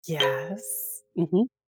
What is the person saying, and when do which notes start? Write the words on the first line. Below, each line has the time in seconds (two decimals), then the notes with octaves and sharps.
Yes. Mhm.
0.20 G#4 C5 B5